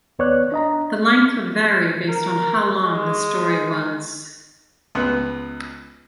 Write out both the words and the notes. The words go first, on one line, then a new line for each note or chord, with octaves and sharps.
The length would vary based on how long the story was.
D#2 B3 C#5 D5 F#6
D4 D#5 A#5
A#4
G#3
C#2 B3 B4 C6